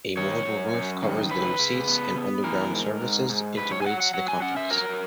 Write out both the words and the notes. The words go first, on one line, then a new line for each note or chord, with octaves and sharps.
A movable roof covers the new seats and underground services integrates the complex.
D#3 C#5
F#2
F#2
D#3
C#3 B4
C#3
B3
B3
E3 A#4
G#2
G#2
G#2
G#2 B4
C#5
G#5
F#3 F#5
F#5
F#3 F#5
G#5
C#4 F#5
E5
F#3 A#4